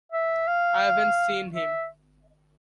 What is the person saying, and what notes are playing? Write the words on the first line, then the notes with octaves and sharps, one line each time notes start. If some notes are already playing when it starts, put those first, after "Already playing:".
I haven't seen him.
E5
F5
E5